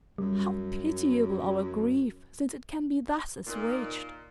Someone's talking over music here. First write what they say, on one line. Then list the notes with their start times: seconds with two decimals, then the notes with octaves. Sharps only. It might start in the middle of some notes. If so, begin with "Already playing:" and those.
How pitiable our grief since it can be thus assuaged.
0.18 F#2 G3
3.47 A#2 A#3 D#4